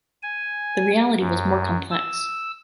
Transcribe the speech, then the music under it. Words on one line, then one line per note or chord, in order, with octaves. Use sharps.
The reality was more complex.
G#5
F#2
E6